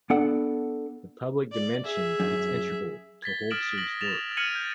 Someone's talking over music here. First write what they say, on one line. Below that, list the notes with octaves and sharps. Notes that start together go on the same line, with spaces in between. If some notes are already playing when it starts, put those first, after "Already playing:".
The public dimension is integral to Holzer's work.
B3 D4 A4 F#5
D5
G#4 E5
F#2
G#6 A6 B6 G7
D#6 F6 A#6 D7 E7 F#7
D#6 A#6 F#7
A6 E7 F7
F6 G#6 A6 C#7 D#7 F#7
G6